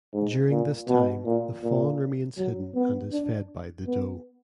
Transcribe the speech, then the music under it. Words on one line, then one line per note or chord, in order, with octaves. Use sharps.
During this time, the fawn remains hidden and is fed by the doe.
G#2
A#2
B2
A#2
A#2
F#3
B3
D4
B3